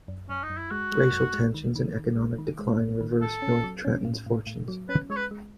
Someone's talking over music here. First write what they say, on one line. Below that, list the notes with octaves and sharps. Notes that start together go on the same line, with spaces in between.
Racial tensions and economic decline reversed North Trenton's fortunes.
F#2
F#2 C#4
D#4
F#2
E4
G#3 F#4
G#3
F#2
G#3
D#3
D#3
D#3
G#3
D#3
G#3
G#2
D#3
A2 A4
C#4
F#3
C#4
A2
A2
A2
F#3
C#4 B4
G#3 C#5
B4
G#3